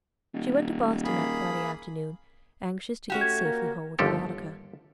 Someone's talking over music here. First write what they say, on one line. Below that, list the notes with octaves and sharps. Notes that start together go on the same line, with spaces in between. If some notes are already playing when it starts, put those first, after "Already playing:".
She went to Boston that Friday afternoon, anxious to get safely home with Veronica.
D#1
A#3 G#4 B5
C#4 F#4 G4
A3 G#6
A#3
G1 D#2 F3 G4 A4